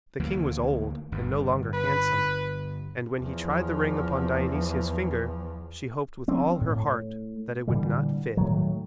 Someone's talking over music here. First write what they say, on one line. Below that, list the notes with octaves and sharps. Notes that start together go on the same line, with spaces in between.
The king was old and no longer handsome, and when he tried the ring upon Dionysia's finger she hoped with all her heart that it would not fit.
D2 E3 A#3
G1 G2
B4
E2 F3
F3 C4 C#4
A2
A#2 D3 E3 G3
A2 D#3 F#3